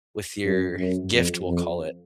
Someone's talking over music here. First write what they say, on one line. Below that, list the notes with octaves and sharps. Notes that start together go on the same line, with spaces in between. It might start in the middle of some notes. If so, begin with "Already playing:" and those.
with your gift, we'll call it?
F#2
F#2
F2
F2